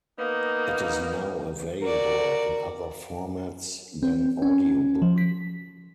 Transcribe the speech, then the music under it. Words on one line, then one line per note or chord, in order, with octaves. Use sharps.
It is now available in other formats than audiobook.
A#3 B3 D#4
F#4 A#4 D5
C4
C#4
F3
B6